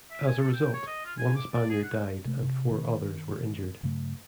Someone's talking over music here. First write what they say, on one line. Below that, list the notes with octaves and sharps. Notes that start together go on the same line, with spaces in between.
As a result, one Spaniard died and four others were injured.
E5
G#5
A4
G5
C#5
D#5
F4
G#5
D6
D5
G#4
F#5
C3 A3
C3
D#3
G2 C#3 F#3 A3